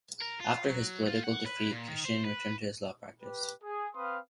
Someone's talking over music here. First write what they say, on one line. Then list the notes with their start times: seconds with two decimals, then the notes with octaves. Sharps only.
After his political defeat, Cashin returned to his law practice.
0.22 A#4
0.40 F4
0.64 F#3
1.07 F4
1.24 F#5
1.46 B4
1.72 A#2
1.88 D#3
2.05 C5
2.25 B4
3.21 G4 B4
3.63 G#4
3.95 C4 B4 F5 C6 D#6